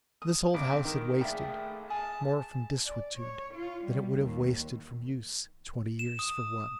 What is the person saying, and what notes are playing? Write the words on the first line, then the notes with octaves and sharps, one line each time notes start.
This old house had wasted--more from desuetude than it would have wasted from use, twenty years for one.
D#6
A#1 C4 D6
D#3 A#4
A#1 A3 G#4 D5 E5 G5
G#4 A5
D5
C#5
F4
G3
D#2
E7
D#6